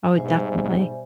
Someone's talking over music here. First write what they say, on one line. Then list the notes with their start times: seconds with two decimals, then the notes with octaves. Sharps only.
Oh, definitely.
0.15 G#2 B2 G3 C5 E5 G#5